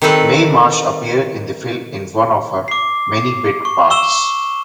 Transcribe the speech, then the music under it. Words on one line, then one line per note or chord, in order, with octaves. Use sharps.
Mae Marsh appeared in the film in one of her many bit parts.
D#3 G3 C4 A4 B4
D6 C7
C#6
C#6 E6 E7 G7